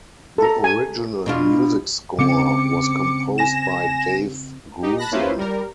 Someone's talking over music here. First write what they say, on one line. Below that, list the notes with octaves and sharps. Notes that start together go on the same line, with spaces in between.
The original music score was composed by Dave Grusin.
A4 A#5
G#5
B2 D4 F4
C#3 C4 D6 C#7
G#5 A#6 E7
D#4 G4
A5 B5 F#6 A#6
A#3 C#4 E4 F4 B4 C5
G3 A#4